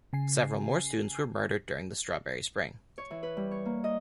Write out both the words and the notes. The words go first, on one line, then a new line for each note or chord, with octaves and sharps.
Several more students were murdered during the strawberry spring.
C#3 G#5 C7
C#5
E3
B4
G3
C#5
A#3
D#5